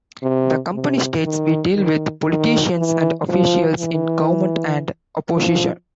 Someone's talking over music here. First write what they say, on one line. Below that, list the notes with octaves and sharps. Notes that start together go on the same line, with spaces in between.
The company states, We deal with politicians and officials, in government and opposition.
C3
C3
D#3
D#3
D#3
E3
F3
E3
F3